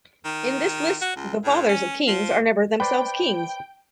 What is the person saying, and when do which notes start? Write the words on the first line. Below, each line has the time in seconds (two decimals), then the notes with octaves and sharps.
In this list the fathers of kings are never themselves kings.
0.25 D#3
1.01 F#4
1.16 C#2
1.44 A2
1.69 C#4
2.08 F3
2.80 B4 C5 D5 G5